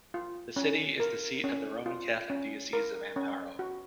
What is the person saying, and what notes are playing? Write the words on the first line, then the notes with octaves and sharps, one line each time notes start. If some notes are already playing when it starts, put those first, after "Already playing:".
The city is the seat of the Roman Catholic Diocese of Amparo.
F4
C#4
A#4
C#4
F4
C#4
A#4
C#4
F#4